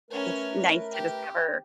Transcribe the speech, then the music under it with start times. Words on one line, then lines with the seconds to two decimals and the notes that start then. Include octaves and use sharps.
it's nice to discover
0.10 A3 C#4 A#4 B4 C#5
0.92 G4